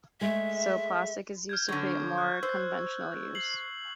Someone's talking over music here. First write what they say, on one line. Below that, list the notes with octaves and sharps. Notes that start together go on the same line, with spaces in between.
So, plastic is used to create more conventional use.
G#3 A3 E5
F6 G6 G#6
D3 F#3 C#6 G#6
F#6
C5 E6
C7 F#7